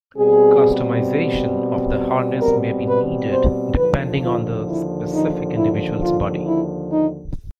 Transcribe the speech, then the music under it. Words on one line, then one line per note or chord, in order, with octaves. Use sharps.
Customization of the harness may be needed depending on the specific individual's body.
B2 G3 C4 G#4
A#4
B4
C5
D#2 D3 F3 B4
F4
E4
D#4
E4
F4
E4
D#4